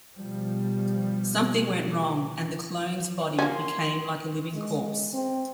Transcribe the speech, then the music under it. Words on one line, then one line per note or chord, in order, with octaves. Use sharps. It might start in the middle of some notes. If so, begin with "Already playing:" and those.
Something went wrong and the clone's body became like a living corpse.
B2 F3 G3
A#3 C#4 C6
G#3
C4